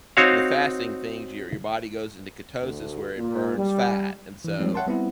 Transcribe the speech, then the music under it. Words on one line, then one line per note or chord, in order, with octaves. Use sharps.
the fasting things, your your body goes into ketosis where it burns fat, and so,
C4 D#4 F#4 C#5 F5
D2
A#2
G3
E3
F3 G3 G#3 C4 D#4
C#5 E5 F#5 G5 A5 C6
G3 B3 C4 E4